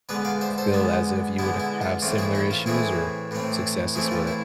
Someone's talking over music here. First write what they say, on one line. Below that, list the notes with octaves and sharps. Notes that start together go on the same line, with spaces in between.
f feel as if you would have similar issues or successes with it.
D3 G#3 B3 G#4 B4
D5 F5
C5 E5
A4 C5
D3 G#3 B3
D3 G#3 B3 E4
E4
F4
A2 E3 A3 C4 F4
E4 G#4
E4
F4
A2 E3 A3 C4 E4 G#4
A2 E3 A3 C4
A2 E3 A3 C4 E4 G#4
F4
E4